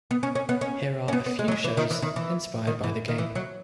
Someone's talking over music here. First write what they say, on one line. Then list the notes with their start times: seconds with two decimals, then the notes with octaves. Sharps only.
Here are a few shows inspired by the game.
0.11 B3
0.23 C#4
0.35 C#4
0.49 B3
0.61 C#4
1.08 C#4
1.13 B3
1.26 B3
1.39 G#3
1.48 F#3
1.52 G#3
1.64 E3
1.77 D#3
1.91 E3
2.02 D#3
2.16 E3
2.67 D#3
2.84 E3
3.08 D#3
3.18 E3
3.35 F#3